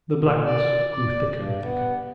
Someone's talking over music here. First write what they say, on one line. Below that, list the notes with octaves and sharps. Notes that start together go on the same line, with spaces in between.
The blackness grew thicker and thicker.
A#2
D5
D5
G2
B3